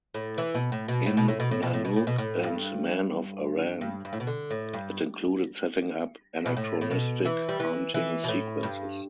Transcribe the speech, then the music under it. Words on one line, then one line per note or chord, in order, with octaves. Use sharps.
In "Nanook" and "Man of Aran", it included setting up anachronistic hunting sequences.
A2
E3
B2
A2
B2
A2
B2
A2
B2
A2
B2
A2
B2
A2
B2
A2
G2
G2
G2
A2
B2
D3
A2
G2
B2
A2
A2
B2
E3
G3
E3
E3
B2
A2
G2